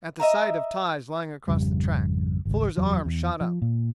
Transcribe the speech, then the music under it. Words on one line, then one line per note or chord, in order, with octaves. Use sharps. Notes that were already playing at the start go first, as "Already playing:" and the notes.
At the sight of ties lying across the track, Fuller's arms shot up.
D#5 E5 A#5
G#1 F2 C#3 G3
G#1 C#2
F#1 E2 F#3
E2
F3
A#2